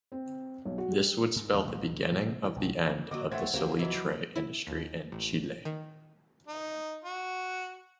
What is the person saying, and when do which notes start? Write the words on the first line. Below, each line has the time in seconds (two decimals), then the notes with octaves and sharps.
This would spell the beginning of the end of the salitre industry in Chile.
0.12 C4
0.65 B1
0.78 F#4
0.92 G3
1.36 G#2
1.54 E2
1.68 A1
1.84 D2
2.11 A#2
2.28 C3
2.43 E3
2.56 B1
2.87 F2 E3 F3 A#3
3.11 D3 F#3 A#3 F#4 D#5 D6
3.32 A1 A3 C4 C#5 E5 F#5 G#6
3.53 C#2 A#3 C4 F#4 G4
3.79 E3 F#3 D#5
4.36 E4
4.67 D#2
5.12 A1
5.65 D#3
6.47 D#4
7.05 F#4